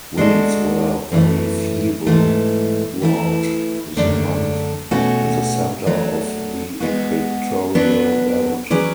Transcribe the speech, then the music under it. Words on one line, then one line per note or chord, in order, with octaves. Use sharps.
Winds were very feeble throughout the month in the center of the equatorial belt.
G#3 D4 F#4 A4
F#2 E3 A3
G#2 E3 A3
E3 A3 E4
F#2 D3 A3 D4
B2 A3 C#4 F#4
F#3 A3 D4
G#3 B3 F#4
F#3 B3 D4 F#4
F#3 C#4 G#4 B4 D5